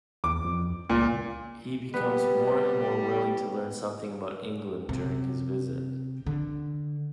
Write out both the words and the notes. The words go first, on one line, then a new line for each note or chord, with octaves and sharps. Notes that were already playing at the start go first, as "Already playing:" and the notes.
He becomes more and more willing to learn something about England during his visit.
E2 D6
F2
C#2 A#2
G3 B3
C3
D3